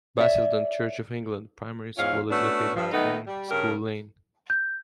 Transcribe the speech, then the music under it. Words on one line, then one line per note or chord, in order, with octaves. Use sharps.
Basildon Church of England Primary School is located in School Lane.
C#5 D5 E5
E2 G#2 C#4 F4 F5
A3 B3 C#4 D4 F#4
G2 F3
D#3 A3 B3 D#4
G3
G2 C#3 C#4 G4 A#4
G6